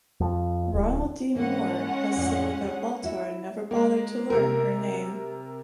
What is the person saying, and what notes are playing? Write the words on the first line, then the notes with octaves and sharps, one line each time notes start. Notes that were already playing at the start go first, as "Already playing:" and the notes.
Ronald D. Moore has stated that Baltar never bothered to learn her name.
F2
D1
G#2 E3 G#3 A#3 C#4 F#5
F2 A2 D5
D4 G#4
E4 F#4 E5
G#3 A#3
C3 A#4